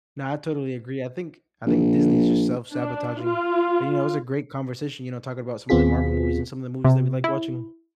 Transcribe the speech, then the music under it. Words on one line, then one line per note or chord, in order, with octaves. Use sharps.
No, I totally agree, I think I think Disney is just self-sabotaging, but, you know, it was a great conversation, you know, talking 'bout some of the Marvel movies and some of the movies that we like watching.
A#1
D4
F4
D#2 B3 C4 F4 G#4 B6
C3
E4